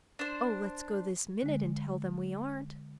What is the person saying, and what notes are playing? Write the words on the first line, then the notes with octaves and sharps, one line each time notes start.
Oh, let's go this minute and tell them we aren't.'
D4 C5
D3 G#3